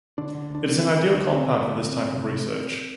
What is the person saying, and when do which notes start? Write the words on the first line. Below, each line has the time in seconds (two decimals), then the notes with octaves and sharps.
It is an ideal compound for this type of research.
0.18 D3 D4
0.35 D3
0.50 D2 D4
0.66 D2 C4
0.78 C4
0.83 D3
0.91 C4
0.98 D3 D4
1.14 D2 D4
1.31 D2 C4
1.46 D3 C4
1.62 D3 B3
1.77 D2
1.87 C4
1.94 D2
2.10 C3
2.26 C3